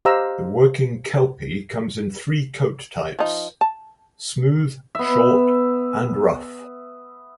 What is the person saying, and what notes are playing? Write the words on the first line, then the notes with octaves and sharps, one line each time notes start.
The Working Kelpie comes in three coat types: smooth, short, and rough.
G4 C5 D#5 F5 A#5 E6
F3 D#4
A5
B3 E5